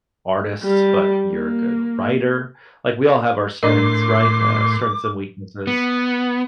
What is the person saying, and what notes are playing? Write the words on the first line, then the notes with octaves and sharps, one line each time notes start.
artist, but you're a good writer, like, we all have our strengths, right? Uh, strengths and weaknesses,
G3
A#3
A2 D4 A#4 D5 D#5 C6 D6
B3